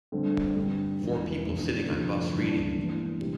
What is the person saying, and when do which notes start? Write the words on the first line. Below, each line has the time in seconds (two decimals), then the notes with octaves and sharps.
Four people sitting on bus reading.
0.12 G1 G2 D3 A3 C4
0.56 G2 D3 G3
1.00 E1 E2 E3
1.44 F1 E2 D3
1.88 F1 F2 D3 F3 A3
2.33 G2 E3 A#3 D4
2.76 E1 E2 E3 A#3
3.21 C3 E3 G3 D4 G4